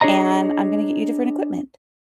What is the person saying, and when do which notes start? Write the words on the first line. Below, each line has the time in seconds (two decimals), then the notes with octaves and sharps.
and I'm gonna get you different equipment,"
0.01 D4 G#4 C#5 D#5 A#5